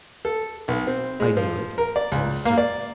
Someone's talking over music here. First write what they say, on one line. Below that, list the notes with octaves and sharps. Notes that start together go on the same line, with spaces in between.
I knew it, I was certain.
A4
B1
C4
G#3
F3
A#4
D5
C#2
A#3
D5